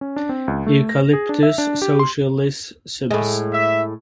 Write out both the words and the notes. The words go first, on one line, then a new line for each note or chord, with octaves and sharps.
Eucalyptus socialis subsp.
C#4
D4
C4
C#2
A3
A#6
G#4
D4
E5
D4
G4
C6
A2 G#3
E5